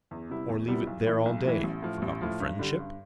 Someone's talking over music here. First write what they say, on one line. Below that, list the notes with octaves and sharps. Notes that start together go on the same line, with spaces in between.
Or leave it there all day, forgotten friendship?
E2
C3 G3 B3 E4
E2
C3 G3 B3 E4
B1
A2 E3
B1
A2 E3
A1
A2 F3
A1
A2 F3
G2
D3 G3
G2